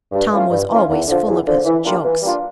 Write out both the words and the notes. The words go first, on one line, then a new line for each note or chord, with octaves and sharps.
Tom was always full of his jokes.
G2
E3 A3 C#4 F4
G2
E3 A3 C#4 F4
E2
D3 F3
E2
D3 F3
E3
G3 A#3 D4 F4
E3
G3 A#3 D4 F4